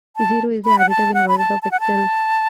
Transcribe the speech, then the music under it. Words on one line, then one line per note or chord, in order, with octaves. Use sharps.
Zero is the additive inverse of itself.
A5
B5
F#5
A5
F#5
B5
A5
A5
F#5
A5